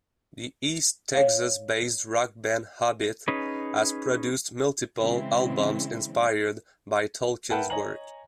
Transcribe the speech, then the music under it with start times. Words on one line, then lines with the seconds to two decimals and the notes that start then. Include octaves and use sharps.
The East Texas-based rock band Hobbit has produced multiple albums inspired by Tolkien's work.
1.14 C#5 F5
3.28 C#4 D#4 G#4 B4
4.99 C#3 E3 G#3 C4 C#4 E4
7.50 A#4 B4 E5 F#5 G5 A5
7.70 C#5 D#5 G#5 A#5 F#7